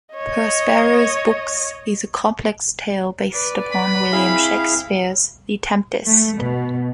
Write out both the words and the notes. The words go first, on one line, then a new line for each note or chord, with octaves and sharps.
"Prospero's Books" is a complex tale based upon William Shakespeare's "The Tempest".
C#5 D#5
B4 D5
B5
C4 E4 G#4 F5
A3
B2